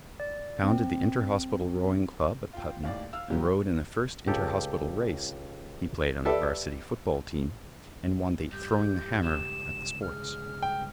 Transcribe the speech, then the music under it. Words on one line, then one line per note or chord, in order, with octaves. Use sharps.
He founded the inter-hospital rowing club at Putney and rowed in the first inter-hospital race; he played on the Varsity football team, and won the "throwing the hammer" at the sports.
D5
C4
F4 G5
D#2 A2 D5 F5
F5 E6 F6
A#2 F#3 G3 G4
C#2 G4 A4
G4 A4 B4 D5 E5
G2 G4 G6
C#2 G2 E7
G#4 F6
G5